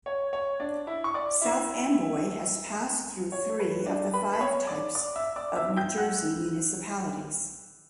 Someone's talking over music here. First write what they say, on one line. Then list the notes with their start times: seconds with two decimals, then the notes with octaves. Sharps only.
South Amboy has passed through three of the five types of New Jersey municipalities.
0.06 C#5
0.33 C#5
0.60 D4 D5
0.87 E4 E5
1.04 C#6
1.14 D5 D6
1.41 E4 E5
3.32 C#5
3.60 B4
3.86 D4 D5
4.14 B4 B5
4.33 B5
4.41 C#5 C#6
4.67 D5 D6
4.95 D5 D6
5.16 E5 E6
5.36 D5 D6
5.56 E5 E6
5.76 G5 G6
5.97 F#5 F#6